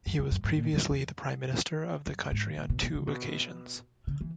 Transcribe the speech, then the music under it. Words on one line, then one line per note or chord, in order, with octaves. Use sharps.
He was previously the Prime Minister of the country on two occasions.
F#2
F#2
F#2
G#2
A#2
F#2
E2
F#2
G#2
A#2
B2
B2
C#3
B2
C#3
E3